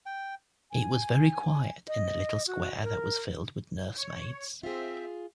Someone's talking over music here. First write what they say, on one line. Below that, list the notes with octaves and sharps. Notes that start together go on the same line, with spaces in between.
It was very quiet in the little square that was filled with nursemaids.
G5
G#5
D#5
F#4
A#4
C#5
C4 F4 G#4 E5